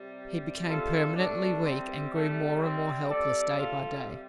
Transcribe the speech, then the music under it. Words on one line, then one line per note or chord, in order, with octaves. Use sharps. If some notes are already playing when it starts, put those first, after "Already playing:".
He became permanently weak and grew more and more helpless day by day.
Already playing: C3 G3
F4 A4
C3 G3 A3 D4
C4
A3
C4
C3 G3 A4 D5
F4 A4